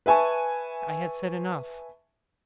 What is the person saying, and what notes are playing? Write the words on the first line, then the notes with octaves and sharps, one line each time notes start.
I had said enough.
B4 E5 G#5 A5 C#6